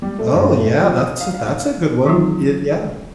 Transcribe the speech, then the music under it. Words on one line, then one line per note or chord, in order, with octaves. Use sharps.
Oh yeah, that's a that's a good one, eh Yeah,
G3
A3
G2
A3
F3
D#6
F5
F5
D#3 E3 F#3 C4 D#4 F4